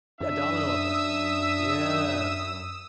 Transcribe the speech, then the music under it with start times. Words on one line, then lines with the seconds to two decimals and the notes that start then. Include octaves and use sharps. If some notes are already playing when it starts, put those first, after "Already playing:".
a domino effect. Yeah.
0.21 F#2 D4 E5 D#6 E6